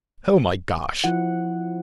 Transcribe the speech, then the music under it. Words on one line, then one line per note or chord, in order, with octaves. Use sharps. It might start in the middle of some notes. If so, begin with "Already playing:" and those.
"Oh, my gosh!"
F3 E4 F#5